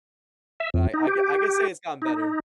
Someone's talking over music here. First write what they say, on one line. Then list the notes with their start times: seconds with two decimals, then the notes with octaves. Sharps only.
But I I c I can say it's gotten better.
0.60 E5
0.74 F2
0.94 D#4
1.07 G4
2.02 D#4